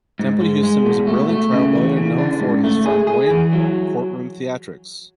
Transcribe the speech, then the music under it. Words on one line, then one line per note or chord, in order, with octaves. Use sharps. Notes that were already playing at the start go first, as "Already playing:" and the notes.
Temple Houston was a brilliant trial lawyer known for his flamboyant courtroom theatrics.
G#2
G#3
G#3
B2
A3
A3
C#3
E3
C#3
D4
G#2
A3
G#4
G#4
E3
F#3